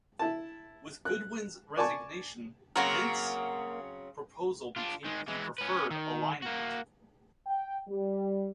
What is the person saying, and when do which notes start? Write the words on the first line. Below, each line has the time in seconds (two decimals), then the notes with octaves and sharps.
With Goodwin's resignation, Vint's proposal became the preferred alignment.
0.19 E4 A5
1.05 F#6
1.77 D5 G#5 A5 C#6
2.76 C#3 F#3 A#3 C4 F#4 A#4
4.76 D4 F4
5.05 D#3 G#3
5.28 E3 G#3
5.58 C#4 B4
5.91 D#3
6.43 A#3 F#4
7.47 G5
7.88 G3